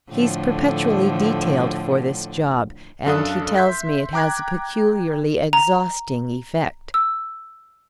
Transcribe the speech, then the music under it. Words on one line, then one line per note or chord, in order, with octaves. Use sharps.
He's perpetually detailed for this job, and he tells me it has a peculiarly exhausting effect.
A2 D3 F3
F#2 D4 A4 F5 D#6 F#6
E5 C6 G6 B6
G5 A#5 D6 F#6 G#6
A#5
E6